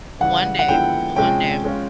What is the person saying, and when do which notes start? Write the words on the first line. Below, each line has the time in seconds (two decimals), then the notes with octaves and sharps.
one day, one day.
0.21 C#3 E3 G3 F#5
0.59 F#5
0.69 D3 F3 G#3 B3 E4 G5
1.16 C3 F3 G#3 C#4 G5
1.64 G#3 C#4 F4